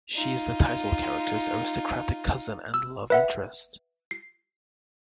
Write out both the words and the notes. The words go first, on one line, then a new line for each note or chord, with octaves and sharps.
She is the title character's aristocratic cousin and love interest.
D#4 F4
E6
B4 E5 F#5
C7